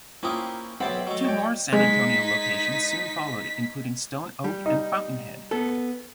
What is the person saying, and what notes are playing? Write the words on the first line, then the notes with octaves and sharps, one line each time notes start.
Two more San Antonio locations soon followed, including Stone Oak and Fountainhead.
A#3 C4 C#4 E4 F4 G4 A#5 D#6
B1 C4 G4 C#5 E5 F#5 A5 B5
F#3 A3 D#5
G4 C#5 D5 G5
G#3 D#4 B6
G3
D#4
B3 A4